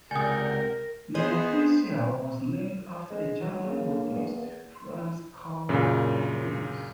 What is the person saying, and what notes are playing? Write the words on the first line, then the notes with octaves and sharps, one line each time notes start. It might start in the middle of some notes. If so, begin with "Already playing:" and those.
"Mertensia" was named after the German botanist, Franz Carl Mertens.
C#2 C3 A#4 D5 F#5 G#5 D#6 G6
B3 G#4 C5 D#5
G#3
F#3
C#3 A#3
E2
F#2 A#2 C#3